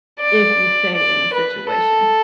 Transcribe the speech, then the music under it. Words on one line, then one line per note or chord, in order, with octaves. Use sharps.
if you stay in the situation,
D5
D5
B4
A4